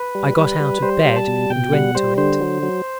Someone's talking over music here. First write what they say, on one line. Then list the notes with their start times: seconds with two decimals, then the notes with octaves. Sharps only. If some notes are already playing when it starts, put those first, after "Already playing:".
I got out of bed and went to it.
Already playing: B4
0.15 G3
0.37 G3
0.60 G3
0.82 G3 C5
1.05 G3
1.16 A5
1.28 B2
1.50 B2 G5
1.73 G3 F#5
1.95 G3 C5
2.18 D3 C5
2.40 F#3
2.63 F#3